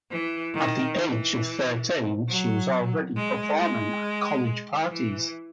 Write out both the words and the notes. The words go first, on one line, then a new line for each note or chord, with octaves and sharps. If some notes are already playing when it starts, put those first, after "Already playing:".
At the age of thirteen, she was already performing at college parties.
E3
D#3
E3
F#3
G#3
G#3
E3